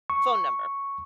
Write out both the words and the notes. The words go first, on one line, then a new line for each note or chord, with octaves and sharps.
phone number
C#6